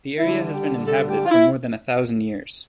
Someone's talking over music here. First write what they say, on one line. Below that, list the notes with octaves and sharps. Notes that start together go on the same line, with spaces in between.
The area has been inhabited for more than a thousand years.
D3 G3 E4
G4
A4
G4
F4
E4